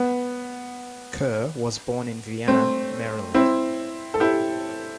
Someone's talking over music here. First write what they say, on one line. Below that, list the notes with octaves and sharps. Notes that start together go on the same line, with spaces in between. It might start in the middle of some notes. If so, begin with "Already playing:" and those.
Kerr was born in Vienna, Maryland.
Already playing: B3
A3 C4
C4 E4
A4
E4 G4